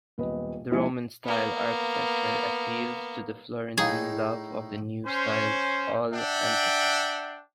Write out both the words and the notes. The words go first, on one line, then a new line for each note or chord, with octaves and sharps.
The Roman-style architecture appealed to the Florentine love of the new style "all'antica".
D#1 B1 B4 D#5
D#2 F3 G#3 E4 G#5 C#7
A#3 B3
A2 D#4 G#4
C#4 C5
D4 E5 F#5 G5